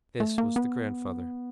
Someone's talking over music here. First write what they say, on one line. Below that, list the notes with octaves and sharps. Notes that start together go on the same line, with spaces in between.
This was the grandfather.
A3
A#3
B3